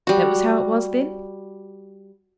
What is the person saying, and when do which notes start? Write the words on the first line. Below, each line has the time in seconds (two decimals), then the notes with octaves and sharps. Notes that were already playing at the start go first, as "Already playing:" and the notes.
'That was how it was, then?'
0.07 G3 F#4